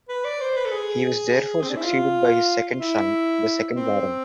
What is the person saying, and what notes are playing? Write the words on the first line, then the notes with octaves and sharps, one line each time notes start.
He was therefore succeeded by his second son, the second Baron.
B4
D5
C5
B4
A4
G#4
C4
D4
E4
F4
E4
C4